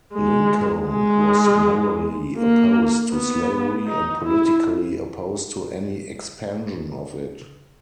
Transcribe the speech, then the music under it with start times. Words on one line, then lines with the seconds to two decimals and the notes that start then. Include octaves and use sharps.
Lincoln was morally opposed to slavery and politically opposed to any expansion of it.
0.14 G#3
0.88 G#3
2.38 A#3
3.12 B3
3.87 D#4
4.24 E4